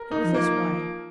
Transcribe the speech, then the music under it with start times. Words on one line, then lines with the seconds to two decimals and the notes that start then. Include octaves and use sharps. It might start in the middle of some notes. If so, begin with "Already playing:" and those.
It was this way.
Already playing: A#4
0.11 D#4
0.23 F3
0.34 A#3